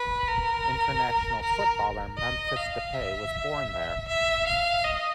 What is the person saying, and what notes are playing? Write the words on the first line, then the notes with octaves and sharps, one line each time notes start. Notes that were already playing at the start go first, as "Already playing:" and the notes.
International footballer Memphis Depay was born there.
Already playing: B4
A#4
A#4
D#5
F5
E5
E5
F5
D#5